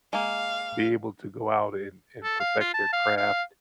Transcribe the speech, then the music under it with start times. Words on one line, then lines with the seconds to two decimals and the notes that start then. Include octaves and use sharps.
be able to go out, and and perfect their craft,
0.13 G#3 A#3 F5
2.23 A4
2.40 F5
2.60 F4
2.74 A5
2.93 F5
3.17 F5